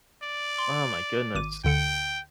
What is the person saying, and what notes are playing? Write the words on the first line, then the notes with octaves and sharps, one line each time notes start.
Oh my goodness.
D5
C6
G#1 D6 D#7
D2 D3 G5 C#7